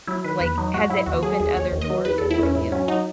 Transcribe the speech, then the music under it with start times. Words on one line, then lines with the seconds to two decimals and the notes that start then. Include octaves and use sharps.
Like, has it opened other doors for you?
0.07 F#3 E4
0.24 D#3 B4
0.40 E2 B4
0.58 F#3 D#4
0.74 G#2 F#4
0.90 F#3 E4
1.06 D#2 F#4
1.23 F#3 G#4
1.40 D#2 G#4
1.56 D#2 C#5
1.72 D#2
1.81 D#5
1.90 F#3
2.05 E2 B4
2.18 E2 A4
2.31 E4
2.39 E2 C#4
2.55 G#2 E4
2.72 F#3 C#4
2.88 F#3 D#4